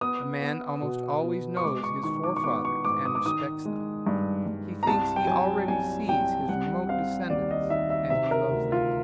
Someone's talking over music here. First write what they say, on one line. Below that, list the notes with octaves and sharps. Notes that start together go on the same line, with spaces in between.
A man almost always knows his forefathers, and respects them: he thinks he already sees his remote descendants, and he loves them.
B3 D#6
B3
B2
B3
C#6
G#3 D6
C#6
D#3 C#6
D6
C#6
B3 D6
C#6
G#2 D6
D#6
D6
D#3 D#6
G#3
G2
G2
A#5
C2 A5
G5
F#3 G#5
C2 G#5
C2 G5
G3 F#5
C4 F5
D#2 D5
D#5
D#3 E5
E5
C3 E5
A#4
D2
F4